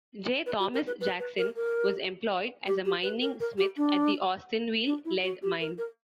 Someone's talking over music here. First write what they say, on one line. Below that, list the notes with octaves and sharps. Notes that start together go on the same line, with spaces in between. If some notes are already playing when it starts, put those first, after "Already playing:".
J Thomas Jackson was employed as a mining smith at the Austinville lead mine.
B4
F#4
A#4
B4
B4
B4
A#4
A#4
G4
G4
B4
A#4
A#4
G4
D4
D4
E4
F#4
G4
A#4
A#4